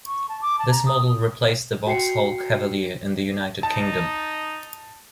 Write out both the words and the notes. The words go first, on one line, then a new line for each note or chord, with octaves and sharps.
This model replaced the Vauxhall Cavalier in the United Kingdom.
C#6
A5
D6
A5
A#5
D#6
F#4 G5 C7 C#7
D#4 A5